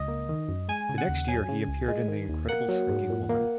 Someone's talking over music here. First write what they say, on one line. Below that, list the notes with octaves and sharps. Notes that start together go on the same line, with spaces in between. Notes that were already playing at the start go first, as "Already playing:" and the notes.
The next year, he appeared in "The Incredible Shrinking Woman".
Already playing: C#2 D#5
A#3
D#3
F#2
G#3 G#5
C#3
F#5
D#2
F#3 G#5
C#3
C#2
G#3
D#3
D#2
A#3 F#5
F#3
G#2
A#2
A#3